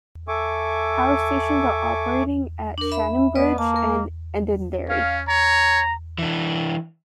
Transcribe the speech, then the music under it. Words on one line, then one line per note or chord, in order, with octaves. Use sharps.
Power stations are operating at Shannonbridge and Edenderry.
A4 E5 G#5 C#6 D6
D4 A#4
E5 B5
B3 B4 D5 D#5
A#3 A5
A#4
C#4 F5
C#5 A#5
E3 D4